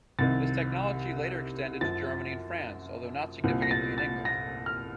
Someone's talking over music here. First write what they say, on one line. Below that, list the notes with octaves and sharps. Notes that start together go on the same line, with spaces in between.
This technology later extended to Germany and France, although not significantly in England.
C2 C3 D#3 A6
F#2 F3 A6
C2 A#2 F3
A#6
A6
A6
A#6
F6